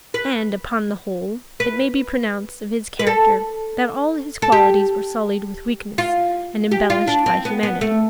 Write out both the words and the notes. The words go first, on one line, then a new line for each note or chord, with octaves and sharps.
And, upon the whole, it may be pronounced of his character, that all his qualities were sullied with weakness and embellished by humanity.
B4
B4
B4
A4
A4
G4
F4
G4
F4
D4
C4
B3
B3
A3